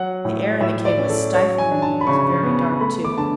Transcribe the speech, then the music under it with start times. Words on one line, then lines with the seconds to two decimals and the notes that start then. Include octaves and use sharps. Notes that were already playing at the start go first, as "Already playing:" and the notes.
The air in the cave was stifling, and it was very dark, too.
Already playing: F#3 F#5
0.25 A2
0.60 A2 E5
0.85 D5
0.98 C#4
1.10 A4
1.34 F#3 C#5
1.58 G#5
1.71 D4
1.82 A5
2.01 B5
2.07 C#3 C#6
2.43 B3
2.81 A3 B5
3.04 D6
3.17 D3 A5